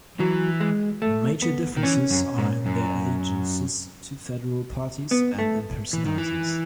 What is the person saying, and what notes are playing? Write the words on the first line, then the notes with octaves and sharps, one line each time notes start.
The major differences are in their allegiances to federal parties and in personalities.
E3 F#3
G#3
A3
B3
D#3
E3 C#4
F#2
G#2
F#2
B3
A3
E3
D#3
E3